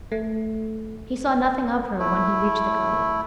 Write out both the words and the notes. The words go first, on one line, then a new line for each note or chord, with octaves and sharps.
He saw nothing of her when he reached the Cove.
A3
A3 E4